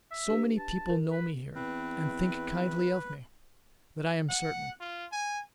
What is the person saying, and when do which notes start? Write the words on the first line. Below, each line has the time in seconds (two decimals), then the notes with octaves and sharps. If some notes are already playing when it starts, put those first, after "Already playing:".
So many people know me here, and think kindly of me, that I am certain.
0.11 E5
0.29 D4 G4 B4
0.59 A5
0.90 A#4
1.12 B4
1.56 E2 C4 B4
4.29 F#5
4.80 F4
5.12 G#5